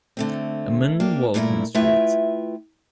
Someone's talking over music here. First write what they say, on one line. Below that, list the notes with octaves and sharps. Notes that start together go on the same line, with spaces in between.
A man walks on the street.
D3 A3 C4
A#3 D4 G4
G2 A#2 A3 B3 E4 A#4
A3 E4 F4 B4 E5 G5